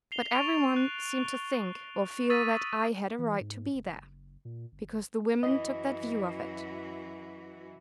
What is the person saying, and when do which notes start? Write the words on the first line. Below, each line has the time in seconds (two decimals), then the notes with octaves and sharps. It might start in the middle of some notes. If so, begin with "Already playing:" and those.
But every one seemed to think, or feel, that I had a right to be there; because the women took that view of it.
0.12 C7 F7 G7
0.33 C#6 A6 D7 F7
0.76 F#6
2.29 C#6 D#6 E6 A6 B6 D#7
3.19 E3
3.41 G#2
3.74 F#1
4.45 A#2
4.72 G1
5.43 F#2 E3 F#4 D#5